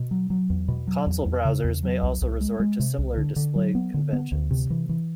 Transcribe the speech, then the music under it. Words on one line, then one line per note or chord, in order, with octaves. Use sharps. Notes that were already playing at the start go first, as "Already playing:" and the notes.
Console browsers may also resort to similar display conventions.
Already playing: B2
F#3
F#3
E2
B2
F#3
E2
E2
C#3
E2
F#3
C2
C2
G#3
G#3
C3
C2
D3
D3
F#3
B3
D3
B3
D2
C3
E3
E3